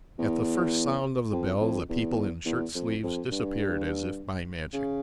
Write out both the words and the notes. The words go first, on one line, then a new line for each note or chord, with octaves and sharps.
At the first sound of the bell the people in shirt-sleeves disappeared as if by magic.
E2
F2
F2
E2
E2
F2
F2
G2
C#3